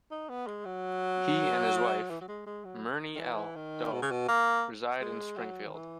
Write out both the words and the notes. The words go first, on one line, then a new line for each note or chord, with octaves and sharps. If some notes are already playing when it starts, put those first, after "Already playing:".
He and his wife, Myrnie L. Daut, reside in Springfield.
D#4
B3
G#3
F#3
E3
F#3
G#3
G#3
F#3
D#3
E3
D#3
B2
C#3
B2
A#3
G#3
F#3
D#3
E3